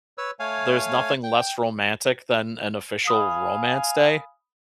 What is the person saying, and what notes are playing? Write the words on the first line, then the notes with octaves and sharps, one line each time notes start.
there's nothing less romantic than an official romance day.
B4 C#5 E6
A3 C#5 F5 G#5
G5
F5 G#5 B5 D#6